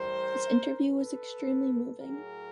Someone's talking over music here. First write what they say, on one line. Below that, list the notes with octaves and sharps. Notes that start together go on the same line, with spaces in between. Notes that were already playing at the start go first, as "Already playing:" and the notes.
This interview was extremely moving.
Already playing: A2 E3 G3 A#4 C5
A4 B4
A2 F#3 G#4 A#4